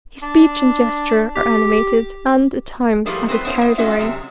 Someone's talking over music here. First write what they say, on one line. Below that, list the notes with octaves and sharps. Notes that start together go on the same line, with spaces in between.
His speech and gesture are animated, and, at times, as if carried away.
D4
G4
A2 F3 G3 A3 A#3 G#4
C4 F#4 A4 B4 C5
B3 C#4 E4 C5
B3
G#3 C#4 F4 F#4 G#4 E5
F#2 C3